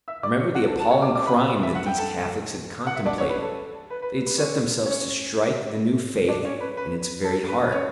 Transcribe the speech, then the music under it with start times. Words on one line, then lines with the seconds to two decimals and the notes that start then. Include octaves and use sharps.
Remember the appalling crime that these Catholics had contemplated; they had set themselves to strike the new Faith in its very heart....
0.08 E5 E6
0.23 D5 D6
0.39 C#5 C#6
0.55 F#4 F#5
0.67 A4 A5
0.79 A4 A5
0.91 C#5 C#6
1.02 D5 D6
1.15 D5 D6
1.27 B4 B5
1.38 B4 B5
1.63 E5
1.75 F#5
1.86 G5
1.98 A4 A5
2.87 F#5
2.96 E5
3.06 D4 D5
3.18 C#4 C#5
3.29 B4
3.42 A4
3.90 B4
4.02 B4
4.26 B4
4.38 C#4 C#5
4.86 C#4 C#5
6.28 D4 D5
6.45 C#4 C#5
6.61 B4
6.77 B4
7.24 A4
7.48 B4
7.66 B4
7.72 C#4 C#5